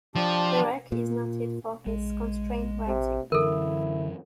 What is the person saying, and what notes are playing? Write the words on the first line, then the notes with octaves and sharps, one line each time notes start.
Perec is noted for his constrained writing.
F3 D4 G4 A5
A#2
A#1 G#3
C3
F#2 D3 E3 E4 A4 A#4